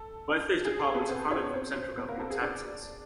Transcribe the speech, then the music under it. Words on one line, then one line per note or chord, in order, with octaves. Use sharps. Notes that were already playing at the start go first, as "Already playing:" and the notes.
Both these departments are funded from central government taxes.
Already playing: A4
G#4
A4
B3 B4
C4 C5
C#4 C#5
C4 C5
B3 B4
A#3 A#4
A4
G#4
D4 D5